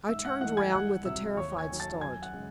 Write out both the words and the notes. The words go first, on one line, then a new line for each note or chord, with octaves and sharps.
I turned round with a terrified start.
G#2 E5 E6
F#5 F#6
E3 A3 D#4 F#5 F#6
G#5 G#6
C2 F#5 F#6
C3 F#3 E5 E6
D#2 C#5 C#6
G#5 G#6
D#3 F#3
A5 A6
F#2 G#5 G#6
F#5 F#6
C#3 G#3